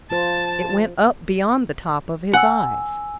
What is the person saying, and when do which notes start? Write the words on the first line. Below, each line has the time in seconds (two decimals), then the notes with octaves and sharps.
It went up beyond the top of his eyes.
0.11 F3 F4 C5 A5
2.33 F#5 G#5 E6